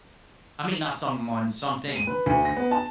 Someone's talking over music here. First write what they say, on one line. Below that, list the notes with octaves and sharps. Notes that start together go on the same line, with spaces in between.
I mean not someone, something,
D#7
B4
D2
A#6
B3
A5